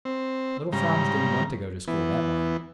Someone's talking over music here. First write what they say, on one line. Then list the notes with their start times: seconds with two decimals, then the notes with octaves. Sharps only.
Little Franz didn't want to go to school, that morning.
0.05 C4
0.73 G#2 C#3 G3 A#5
1.88 E3 B3